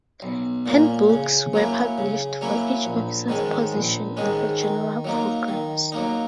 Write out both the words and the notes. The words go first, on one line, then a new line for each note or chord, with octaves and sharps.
Handbooks were published for each officer position and for general programs.
B1
A#2 A#3 C#4
C#3
F#3 A#3 C#4 E4
C#3
F#3 A#3 C#4 E4
A#1
G#2 D#3 G#3 C#4
A#1
G#2 D#3 G#3 C#4
D#3
F#3 A#3 D#4
D#3
F#3 A#3 D#4